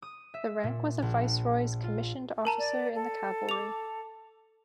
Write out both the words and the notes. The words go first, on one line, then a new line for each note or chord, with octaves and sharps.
The rank was a Viceroy's commissioned officer in the cavalry.
D#6
E5
A#2
A#1
F4
A#4 A5 A#5
D5
A4
D6 F7